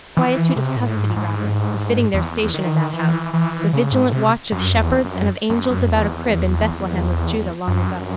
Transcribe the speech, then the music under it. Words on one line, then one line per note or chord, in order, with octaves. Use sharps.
Quietude of custody, rather, befitting their station in that house, the vigilant watch of shepherds and of angels about a crib in Bethlehem of Juda long ago.
E3
C3
A2
G#2
G#2
E2
D#3
E3
E3
C#3
G#2
C3
F#2
E2
F#2
F#2
F#2
E2
F#2